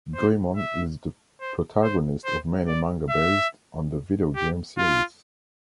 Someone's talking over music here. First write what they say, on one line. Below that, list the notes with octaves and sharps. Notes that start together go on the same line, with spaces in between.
Goemon is the protagonist of many manga based on the videogame series.
C5
E5
C5
C5
C5
D5
E5
G4
F4